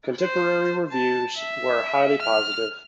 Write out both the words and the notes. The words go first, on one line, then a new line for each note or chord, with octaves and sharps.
Contemporary reviews were highly positive.
C5
A5
E5
F6